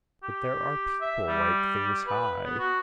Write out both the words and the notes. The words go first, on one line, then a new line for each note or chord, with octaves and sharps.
But there are people like things high.
G4
E5
G3
B4
B3
F#4